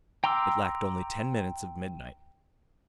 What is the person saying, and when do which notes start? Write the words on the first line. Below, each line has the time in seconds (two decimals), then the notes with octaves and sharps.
It lacked only ten minutes of midnight.
0.24 G5 A#5 C6 D6 E6